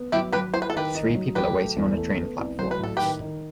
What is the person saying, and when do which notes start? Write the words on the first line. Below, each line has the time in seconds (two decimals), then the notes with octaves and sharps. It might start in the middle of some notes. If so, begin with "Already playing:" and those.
Three people are waiting on a train platform.
Already playing: B3
0.12 F#3 E4 G4
0.32 F#3 G4 B4
0.54 E4 C5
0.62 B4
0.70 A4
0.74 D#3 G4 B4
0.95 D#4
1.15 F#3
1.35 F#3 G4 B4
1.56 A3
1.76 E2
1.97 A3
2.18 B3
2.39 C2
2.59 F#3 C5
2.71 B4
2.79 A2 A4
2.97 D#3 G4 B4
3.21 D#3